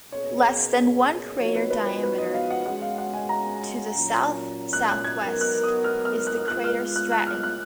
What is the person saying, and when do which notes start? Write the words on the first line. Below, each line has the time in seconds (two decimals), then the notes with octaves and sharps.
Less than one crater diameter to the south-southwest is the crater Stratton.
0.11 B2 A#3 C#4 G#4 C#5
1.39 F3 B3 D#4 F#4 C#5
1.55 B4
1.70 B4
1.86 B4
2.03 B4
2.18 D#5
2.34 F5
2.50 F#5
2.66 G#3 C#4 F#4 F#5
2.82 F5
2.98 F#5
3.14 G#5
3.29 A#5
3.94 A#2 F#3 C#4
4.73 F#6
4.89 F#6
5.04 G#6
5.20 F#3 B3 D#4 A#4
5.41 F#6
5.63 D#6
5.84 F6
6.05 F6
6.27 F#6
6.48 G#3 B3 F4 F#6
6.64 F6
6.96 F#6
7.12 F#6
7.27 F6
7.43 F#6